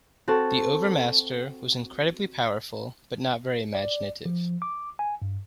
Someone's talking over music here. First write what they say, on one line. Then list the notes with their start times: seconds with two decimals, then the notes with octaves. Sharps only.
The Overmaster was incredibly powerful but not very imaginative.
0.28 C4 F#4 A4 A5
3.75 D5
4.25 F3
4.62 D6
4.99 G#5
5.22 G2